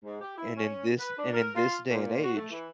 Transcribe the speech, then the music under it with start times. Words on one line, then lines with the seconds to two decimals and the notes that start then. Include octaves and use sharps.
And in this and in this day and age,
0.04 G#2
0.21 G4
0.37 E4
0.57 C#4
0.98 B4
1.18 D4
1.33 A#4
1.55 F4
1.90 A#2
2.23 F#4
2.36 A3
2.51 E3